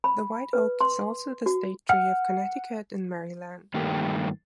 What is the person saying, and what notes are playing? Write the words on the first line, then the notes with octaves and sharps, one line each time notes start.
The white oak is also the state tree of Connecticut and Maryland.
B5
B4
C6
F#4
F#5 F6
G2 D#3 G3 A3 A#3 G4